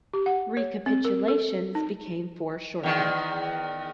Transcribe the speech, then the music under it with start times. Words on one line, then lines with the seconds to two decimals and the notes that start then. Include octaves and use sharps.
Recapitulations became foreshortened.
0.14 G4
0.26 F#5
0.57 C#5
0.86 C4
1.05 A#4
1.28 A4
1.75 D#4
2.83 E2 D#3